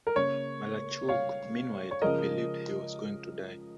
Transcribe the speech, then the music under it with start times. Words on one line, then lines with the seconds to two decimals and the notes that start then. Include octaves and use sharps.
Malarchuk, meanwhile, believed he was going to die.
0.07 A#4
0.16 C#3 A#3 C#5
1.09 C#5 F5
1.91 C#5
2.02 C#3 F3 G#3 A#4 D#5